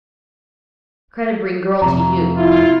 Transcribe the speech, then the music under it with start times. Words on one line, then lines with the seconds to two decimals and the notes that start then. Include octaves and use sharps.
Kreta bring girl to you.
1.82 F2 C3 A#5
2.37 E4 F4